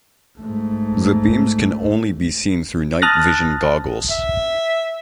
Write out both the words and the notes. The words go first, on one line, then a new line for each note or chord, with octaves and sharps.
The beams can only be seen through night vision goggles.
G#2 A3
A5 D#6 F6 F#6 A6 A#6
E5